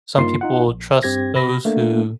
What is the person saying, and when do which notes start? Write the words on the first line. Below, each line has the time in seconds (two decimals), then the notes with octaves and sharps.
Some people trust those who
0.17 G2 A#3 D#4 F4 C6 C7
0.41 D#4 F4 F#5
0.67 A#1
1.03 G2 C4 G4 G#6 A#6
1.35 C3 B5 A#6
1.65 A3 A#3 D4 A4